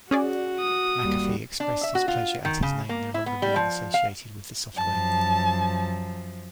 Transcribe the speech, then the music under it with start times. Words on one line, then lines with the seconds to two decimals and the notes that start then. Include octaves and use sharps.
McAfee expressed his pleasure at his name no longer being associated with the software.
0.11 C#4 F#4 G#4 D5
0.60 D#6
1.01 D#2 G3
1.60 D4
1.83 E5
1.95 F#4
2.08 F4
2.45 D#3
2.63 C#3
2.89 A#3
3.14 E4
3.26 B3
3.42 G3
3.56 F3
3.94 F5
4.77 F#2 F3 A5